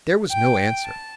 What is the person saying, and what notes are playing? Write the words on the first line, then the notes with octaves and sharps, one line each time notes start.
There was no answer.
G5
A5